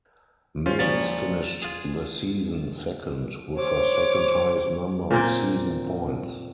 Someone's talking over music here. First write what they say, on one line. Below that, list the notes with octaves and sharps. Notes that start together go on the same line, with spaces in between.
Maze finished the season second, with her second-highest number of season points.
C#4 F4 C5
A#2 F3 C#5 A6
F4 G#4
C5 C#5 D6
A#2 A#3 C4 G5